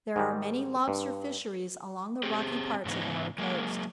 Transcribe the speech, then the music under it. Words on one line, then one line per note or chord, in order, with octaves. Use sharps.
There are many lobster fisheries along the rocky parts of our coast.
G#2 D#3 G3
G2
C4 G4 G#4
G#2 C#3 E3 B3 D#4
F#3 G#3 A#3